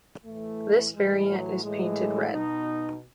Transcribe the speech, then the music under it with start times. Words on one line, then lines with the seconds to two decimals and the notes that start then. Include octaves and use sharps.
This variant is painted red.
0.25 A2 E3 A3
0.94 A2 E3 G#3
1.29 F#3
1.63 A2 E3 G#3
2.33 B2 D#4